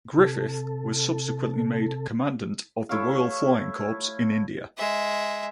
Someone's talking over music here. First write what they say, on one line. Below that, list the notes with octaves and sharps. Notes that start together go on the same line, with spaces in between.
Griffith was subsequently made Commandant of the Royal Flying Corps in India.
C3 A4
A3 E4 C#5 F5
G#3 E5